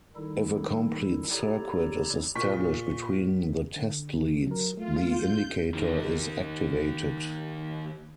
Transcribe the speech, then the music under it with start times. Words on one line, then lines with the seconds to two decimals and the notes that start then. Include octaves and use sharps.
If a complete circuit is established between the test-leads, the indicator is activated.
0.16 D#3 G3 D#4 E4 A4
1.31 E4 G4 A4 C#5 D5 A#5
2.35 A#2 C#6 B6
3.76 D3
4.47 F#3 A#4
4.77 A3 F4
5.12 G6
5.74 D#3 A#3